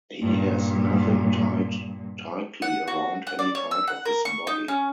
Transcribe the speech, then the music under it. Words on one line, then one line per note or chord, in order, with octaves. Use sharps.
He has nothing tied tightly around any part of his body.
G2 A#2
F#5
F#4
F#5
D5
C#5
E6
F#5
A#4
C#6
D#4
C#4